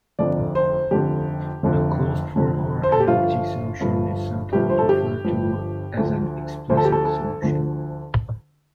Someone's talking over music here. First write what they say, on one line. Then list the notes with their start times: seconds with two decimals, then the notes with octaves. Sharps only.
A closed-form or analytic solution is sometimes referred to as an explicit solution.
0.19 F1 F2 D3 D5
0.55 C5
0.91 F1 F2 D3 G4
1.63 F1 F2 D3
2.36 F1 F2 D3
2.83 C5
2.92 A4
3.00 G4
3.07 G1 G2 F3 F4
3.80 G1 G2 F3
4.52 G1 G2 F3 G4
4.70 C5
4.79 A4
4.89 G4
5.24 G1 G2 F3
5.97 D2 D3 F3
6.70 D2 D3 F3 C5
6.77 A4
6.85 G4
6.92 A4
7.05 A4
7.42 D2 D3 F3